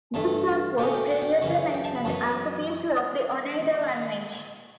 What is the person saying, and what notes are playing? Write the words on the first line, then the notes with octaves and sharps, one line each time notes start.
This type was previously mentioned as a feature of the Oneida language.
G2 E3 A3 A5
B2 A3 C#4 G5
G5
F#5
G5
F#5
F#2 C#3 E3
G5
A5
B5
F#2 E3 B3 A5